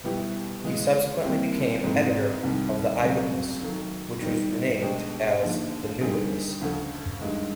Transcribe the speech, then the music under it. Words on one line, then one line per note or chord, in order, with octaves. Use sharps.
He subsequently became editor of the "Eye-Witness", which was renamed as the "New Witness".
B2 G3 B3 E4 G4
C#3 E3 G#3
D#2 D#3 G3 C4 E4
G#2 E3 A3 C4
C2 C3 D#3 G3
C#2 C#3 F#3 A3 C4
D#3 F#3 A3
D#3 G3 B3 D#4
B2 G#3 B3 D4 G4
D#2 D3 F3
D3 G3 A#3 D#4 G#4
D2 C#3 F3 A3
G2 D#3 G#3